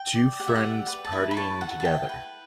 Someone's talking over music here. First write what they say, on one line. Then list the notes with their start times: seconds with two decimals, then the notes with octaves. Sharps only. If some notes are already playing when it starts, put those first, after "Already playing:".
Two friends partying together.
Already playing: G5
0.15 D5
0.40 G4 F#5
0.48 E5
0.56 F#5
0.64 D5
0.88 B4
1.04 A5
1.12 E4 B5
1.31 B5
1.36 C#5 A5
1.61 A4 F#5
1.80 A5
1.85 E4 G5
2.09 B4